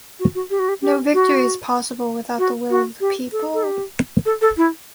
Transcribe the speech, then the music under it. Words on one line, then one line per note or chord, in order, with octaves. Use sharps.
No victory is possible without the will of the people.
F#4
F#4
G4
F#4
G4
G4
F#4
F#4
F#4
G4
A4
A4
G4
A4
A4
E4